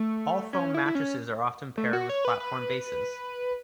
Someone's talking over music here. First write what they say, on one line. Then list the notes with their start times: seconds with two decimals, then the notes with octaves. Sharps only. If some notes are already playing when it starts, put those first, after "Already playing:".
All-foam mattresses are often paired with platform bases.
Already playing: A3
0.53 C#4
0.74 E4
0.86 E4
0.95 C#4
1.77 A3
1.93 F#4
2.09 C#5
2.25 B4
2.40 B4